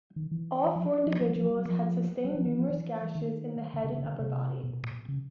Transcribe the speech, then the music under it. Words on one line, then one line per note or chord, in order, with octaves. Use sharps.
All four individuals had sustained numerous gashes in the head and upper body.
D#3
E3
F3
F3
F3
F3
F#3
F3
F#3
F3
E3
F3
E3
D#3
D3
C#3
C#3
D3
C3
B2
A#2
C#3